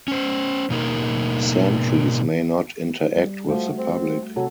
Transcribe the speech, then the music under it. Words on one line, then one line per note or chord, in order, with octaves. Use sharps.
Sentries may not interact with the public.
C#4 C5
B2 A#3 D#4 A#4
G3
F3 A3 F#4
C4
C3 F#3 F#4 A4